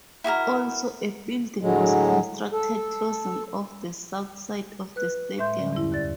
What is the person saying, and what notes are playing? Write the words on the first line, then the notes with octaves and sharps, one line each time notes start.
Also, a building was constructed, closing off the south side of the stadium.
E4 F#4 G#4 A#4
A2 D3 F#3 G#3
A4
B4 F#6
A2 G#3 E5 C6 G6
D3 G3 C#4
E2 G2 E4
D#2 D5 A6